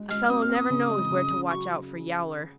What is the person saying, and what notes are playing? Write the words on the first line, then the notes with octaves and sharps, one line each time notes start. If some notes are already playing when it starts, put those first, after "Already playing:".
A fellow never knows where to watch out for Yowler.
Already playing: G#3
G#3 F6
C4 D#6
F6
C4
D#6
C#3
G#3
C#3
C#3
F#3 C#6